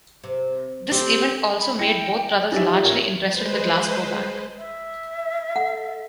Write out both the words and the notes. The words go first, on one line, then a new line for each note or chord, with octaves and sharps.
This event also made both brothers largely interested in the Glasgow Bank.
C3
A3 C4 G4
B5
E4 G5 A#6 C#7
D#4 F4 G4 C#5 E5 G#5 A6
A1 A#4 C#5 E7
G#3 B4 C5
E5
A4 F#5